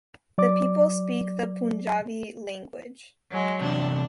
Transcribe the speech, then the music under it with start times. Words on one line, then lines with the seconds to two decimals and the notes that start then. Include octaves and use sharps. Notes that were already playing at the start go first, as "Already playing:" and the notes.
The people speak the Punjabi language.
0.38 F#3 D5 D6
3.31 F#3 G#3
3.62 E2 C3 D4